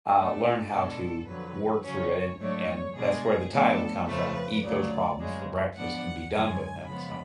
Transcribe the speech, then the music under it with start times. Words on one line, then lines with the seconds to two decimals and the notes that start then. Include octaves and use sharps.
uh, learn how to work through it, and and that's where the title comes from, "eat those problems for breakfast and be done with them," so
0.16 B2 A3 D4 A4
0.72 B2 G#3 D4 A4
1.27 F2 D3 F#3 B4
1.84 C#3 F#3 C#4 C#5
2.40 G#2 F#3 A3 D4 C#5
2.96 B2 G#3 D4 G#4
3.52 A2 F3 B3 D4 A4
4.07 F2 C#3 F3 A3 B4
4.63 D2 C#3 F#3 D5
5.20 F#2 C#3 G#3
5.76 G#2 F3 B3 D4 F#5
6.32 F#2 D3 G#3 C#4 G#5
6.87 C#3 F3 G#3 B3 B5